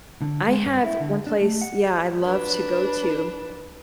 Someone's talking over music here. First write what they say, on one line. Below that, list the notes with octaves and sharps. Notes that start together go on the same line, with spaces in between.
I have one place yeah, I love to go to.
D3
G#3
G2
E4
D3
D4
A3
F#5
D4 B4